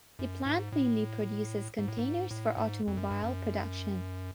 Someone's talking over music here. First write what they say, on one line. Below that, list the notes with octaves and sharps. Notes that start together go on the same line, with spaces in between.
The plant mainly produces containers for automobile production.
F#2
G#2
A2
G#2
A2
G#2
A2
G#2
F2
F#2
G2
F#2